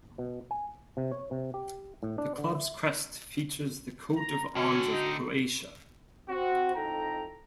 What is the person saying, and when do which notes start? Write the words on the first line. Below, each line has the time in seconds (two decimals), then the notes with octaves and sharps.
The club's crest features the Coat of Arms of Croatia.
0.18 B2
0.51 G#5
0.97 C3
1.11 C#5
1.31 C3
1.54 G4
2.03 A2
2.18 D4
2.38 D3
2.55 E5
4.16 A#5
4.55 A2 D3 C#4 F#4
4.91 D#4
6.28 C4 F#4
6.74 F2 D#4 E4 A4 G5 A#5